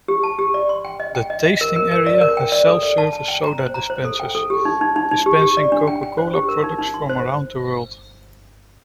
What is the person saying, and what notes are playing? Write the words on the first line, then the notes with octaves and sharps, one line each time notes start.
The tasting area has self-serve soda dispensers, dispensing Coca-Cola products from around the world.
G4
A5
G4
D5
C6
G5
D#5
G5
D#5
D#5
A#4
A#4
A#4
D5
A#4
G5
D5
A4
D5
A5
A5
G5
A#5
C5
A#5
C5
A4
G5
A4
G4
D#4
D#4
D#4
D#4
G4
G4
D5
D4
G5
G5
C5
G4
A#4
D#4
D#4
C6
C5